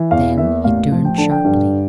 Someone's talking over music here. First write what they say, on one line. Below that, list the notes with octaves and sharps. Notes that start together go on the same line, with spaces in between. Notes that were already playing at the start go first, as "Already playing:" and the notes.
Then he turned sharply.
Already playing: E3
E2 F5
A#3 E5
A1 F5
F3
G5
D3 A5
G5
G2